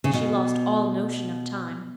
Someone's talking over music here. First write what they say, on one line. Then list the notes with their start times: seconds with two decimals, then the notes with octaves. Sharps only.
She lost all notion of time.
0.04 C#3
0.13 B2